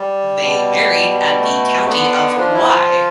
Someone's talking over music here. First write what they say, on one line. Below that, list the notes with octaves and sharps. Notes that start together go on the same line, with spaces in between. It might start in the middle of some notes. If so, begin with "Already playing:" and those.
They married at the county of Kauai.
Already playing: G3
B2
A3
D3 B3
F3 D4
E4
F4